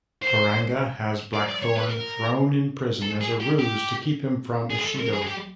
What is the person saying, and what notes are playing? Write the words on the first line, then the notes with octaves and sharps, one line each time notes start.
Toranaga has Blackthorne thrown in prison as a ruse to keep him from Ishido.
C5
D5
D5
C#5
B4
A#4
A4
G#4
G4
G4
G#4
A4
A#4
G#4
G4